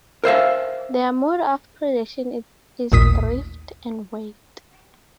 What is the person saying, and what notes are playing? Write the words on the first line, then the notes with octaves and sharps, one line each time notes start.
Their mode of predation is "drift and wait".
A#4 C5 E5 F5
A1 D#2 A#2 D#6 B6